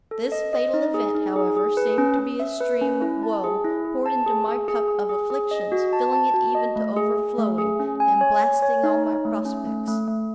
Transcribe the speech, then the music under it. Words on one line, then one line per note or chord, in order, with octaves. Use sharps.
This fatal event, however, seemed to be a stream of woe poured into my cup of afflictions, filling it even to overflowing, and blasting all my prospects.
A4
D#5
D#5
D#4
G#4
D#4
G#4
G#4
B4
C#4
C#4
E5
B4
C#4
E4
A5
G#4
E4
G#4
A5
G#4
G#4
G#4
G#4
G#4
G#4
D#5
F#4
A5
A5
F#4
D#5
A3
G#4
G#4
A3
G#4
C#4
G#5
C#5
G#5
C#5
D#4
C#5
A3
C#4
A3
A3
A3